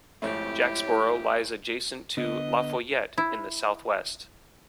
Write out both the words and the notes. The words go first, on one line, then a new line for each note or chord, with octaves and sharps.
Jacksboro lies adjacent to LaFollette to the southwest.
G#1 F2 A3 E4 G4 C#5 E5
D3 B3 D#5
E4